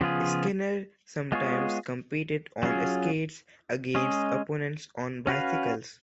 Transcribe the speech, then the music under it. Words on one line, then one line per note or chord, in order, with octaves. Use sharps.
Skinner sometimes competed on skates against opponents on bicycles.
C#3 F3 B3 F4 G#4
G#3 B3 F4 G#4 C#5
F#3 C#4 F4 G#4
G#3 C#4 G#4 D#5
C#4 F#4 B4 F5